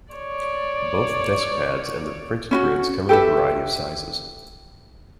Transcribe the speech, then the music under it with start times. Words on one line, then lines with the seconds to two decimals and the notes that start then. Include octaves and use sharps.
Both desk pads and the printed grids come in a variety of sizes.
0.13 C#5 D5
2.51 C#4 E4 F#4
3.09 G4 A4 B4 E5